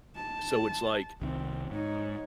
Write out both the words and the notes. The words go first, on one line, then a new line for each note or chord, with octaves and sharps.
so it's like,
A5
C2 C3 D#3 C4
G#2 D#4 C#5